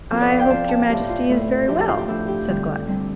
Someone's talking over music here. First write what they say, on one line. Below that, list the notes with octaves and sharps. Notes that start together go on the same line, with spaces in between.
"I hope your Majesty is very well," said Gluck.
F3 C4 F4 A4
D5
F5
G5
F3 C4 F4 A5
A5
D5
A2 A3 F4 G4
F4
A2 A3 F4
A2 F3 D4 F4 G4
G4
F4
G4
A2 F3 D4 F4 A4
G4
D3 G3 C4
D3 G3 C4